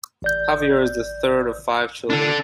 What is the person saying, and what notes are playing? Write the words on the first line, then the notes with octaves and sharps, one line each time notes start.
Javier is the third of five children.
A1 D5 G6
D4 A4